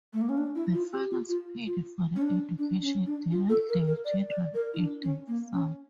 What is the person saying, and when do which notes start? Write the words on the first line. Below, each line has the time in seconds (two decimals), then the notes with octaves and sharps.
The fathers paid for the education denied their children in the South.
0.13 A3
0.21 A#3
0.29 C#4
0.37 D4
0.55 E4
0.73 F4
0.93 G4
1.10 F4
1.28 F4
1.66 F4
2.15 C#4
2.21 D4
2.58 D4
2.81 C#4
3.06 D4
3.31 F4
3.49 A4
3.68 A#4
3.86 A#4
4.05 D5
4.29 D5
4.54 A#4
4.73 E4
4.78 D4
5.02 C#4
5.27 A#3
5.52 C#4